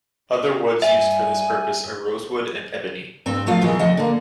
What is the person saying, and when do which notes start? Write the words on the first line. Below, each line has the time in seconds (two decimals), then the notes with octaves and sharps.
Other woods used for this purpose are rosewood and ebony.
0.82 G2 E5 G#5
3.26 G2 C4
3.46 G#2 F3 A3 F4 F5
3.61 F#2 B2 E3 G#3
3.79 D2 F3 D#5 F#5
3.97 D3 A#3